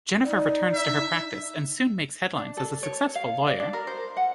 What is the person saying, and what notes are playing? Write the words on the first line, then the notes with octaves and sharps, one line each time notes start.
Jennifer returns to her practice and soon makes headlines as a successful lawyer.
D#4 D5
E5
D4
A4
C#5
F5
D5
D4
A#4
C5
F#5